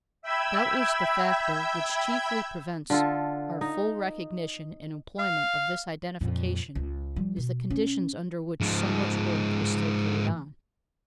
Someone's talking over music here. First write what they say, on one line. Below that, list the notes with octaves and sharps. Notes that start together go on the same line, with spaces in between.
Doubtless the factor which chiefly prevents our full recognition and employment of this identification is the conditions under which so much work is still carried on.
E5 G5 B5 E6 G#6
D3 F4 A4
D#4
F5
F2 A#2
C#2
F3 G3
B2
C#4
G#2 F3